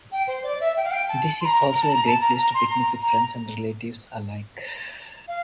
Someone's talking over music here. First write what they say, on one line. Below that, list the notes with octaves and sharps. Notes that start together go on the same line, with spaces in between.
This is also a great place to picnic with friends and relatives alike.
G5
C5
D5
E5
G5
F5
G5
A5
C6
A#5
A#5
A5
A#5
A5
A#5
A#5
C6
A#5
A#5
F5